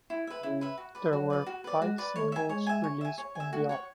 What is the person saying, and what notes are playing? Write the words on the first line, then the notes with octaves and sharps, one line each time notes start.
There were five singles released from the album.
E4
B4 E5
C#3 E4
B4 E5
F#4
B4 D5
F#3 F#4
B4 D5
F#4
B4 D5
G#3 F#4
B4 D5
A3 C#5
E5 G#5
G#3 C#5
E5 G#5
C#5
E5 G#5
C#5
E5 G#5
A3 F#4
C#5 F#5 C#6